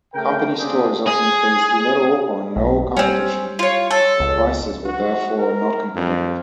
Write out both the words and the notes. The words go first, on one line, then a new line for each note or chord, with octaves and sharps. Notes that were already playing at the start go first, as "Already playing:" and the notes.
Company stores often faced little or no competition and prices were therefore not competitive.
C#3 A3 A#4 G5
C#3 A#3 C4 D4 G4 G#4
G#4
B1
G3 C4 C#4
F4 C#5
A4 C#5
C#2
F#4
A#4
F2